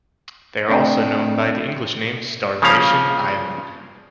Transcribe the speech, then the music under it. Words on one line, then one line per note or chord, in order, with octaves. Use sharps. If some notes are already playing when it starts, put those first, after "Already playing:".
They are also known by the English name "Starvation Island".
A3 C4 D4 D#5 G5
C#3 F3 A#3 C#4 F5 A#5